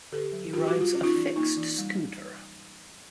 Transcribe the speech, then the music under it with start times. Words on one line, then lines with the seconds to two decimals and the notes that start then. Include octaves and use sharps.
He rides a fixed scooter.
0.12 D3 G4 A4
0.32 F#3
0.53 D4 F4 G4
0.67 E4 F#4
0.75 G3
0.81 F4
0.92 C#4 E4
1.03 D#4 F4
1.16 E3
1.36 A#3 D#4
1.57 E3
1.78 G3